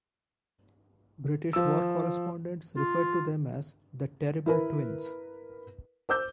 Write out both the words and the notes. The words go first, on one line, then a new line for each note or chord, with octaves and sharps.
British war correspondents referred to them as "the terrible twins".
F3 E6
F4
E4 A#4 B4
C5 D6 E6 G6